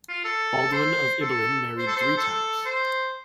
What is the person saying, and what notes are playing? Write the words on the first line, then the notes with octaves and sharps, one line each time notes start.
Baldwin of Ibelin married three times.
F4
A4
C5
A4
C5
A4
C5
A4
C5